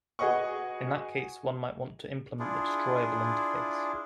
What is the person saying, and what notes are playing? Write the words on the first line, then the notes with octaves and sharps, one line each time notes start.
In that case, one might want to implement the Destroyable interface.
F#4 G#4 B4 D#5 F#5 C#6
D4 E4 F4 G#4